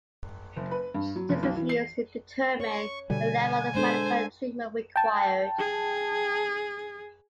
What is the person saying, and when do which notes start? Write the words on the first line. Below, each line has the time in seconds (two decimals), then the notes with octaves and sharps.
This is used to determine the level of medical treatment required.
0.57 F#1
0.71 B4
0.95 G2
1.16 F#3
1.29 F1
1.43 B1
1.56 E3
1.69 C7
2.60 C#5 C#6
3.10 B2 D3 G3 G#5
3.75 G#3 D4 A4 C5
4.96 G5 A5
5.59 G#4